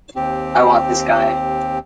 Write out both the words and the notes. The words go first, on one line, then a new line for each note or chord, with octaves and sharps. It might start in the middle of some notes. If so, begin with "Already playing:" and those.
I want this guy.
D#2 C4 G4